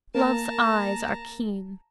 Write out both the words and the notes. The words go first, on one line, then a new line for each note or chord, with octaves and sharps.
Love's eyes are keen.
A#3 A#4 A5 A#5